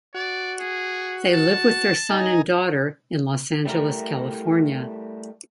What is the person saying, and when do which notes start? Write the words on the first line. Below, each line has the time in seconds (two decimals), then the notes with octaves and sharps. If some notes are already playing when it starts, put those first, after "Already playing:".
They live with their son and daughter in Los Angeles, California.
0.15 F#4 D5
0.60 G#4
1.34 A5
2.09 D#4 G#5 A#5
3.66 G3 A3 E4 A#4